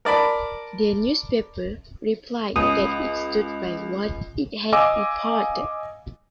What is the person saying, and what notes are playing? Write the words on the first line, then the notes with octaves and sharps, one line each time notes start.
The newspaper replied that it stood by what it had reported.
A#4 D5 A5 B5
C#2 D#6
D#5 F5 G#5 D6 E6